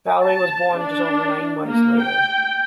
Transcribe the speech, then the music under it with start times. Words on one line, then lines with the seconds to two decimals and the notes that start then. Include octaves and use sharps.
Valerie was born just over nine months later.
0.23 A5
0.77 D4
1.66 A#3
2.00 G5